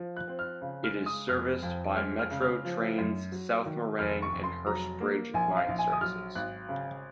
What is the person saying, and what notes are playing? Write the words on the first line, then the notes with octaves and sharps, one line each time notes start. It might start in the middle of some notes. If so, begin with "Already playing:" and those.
It is serviced by Metro Trains' South Morang and Hurstbridge line services.
Already playing: F3
F#6
C4
F6
C#3
F6
G#3
D#6
F1 F6
F2
G#3 F6
F6
C#3
F6
F3
F#2
F#3
D#3
F1 F6
C#6
F1
C6
F#3 A#5
A#3
A#1 G#5
F5
A#1
G#5
D#6
F#3 F6
G#1 F#6
C#3